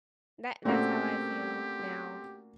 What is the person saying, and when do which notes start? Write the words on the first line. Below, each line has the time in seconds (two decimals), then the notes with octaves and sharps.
that that's how I feel now
0.65 A#2 A3 A#3 C4 C#4 F#4 G4 A4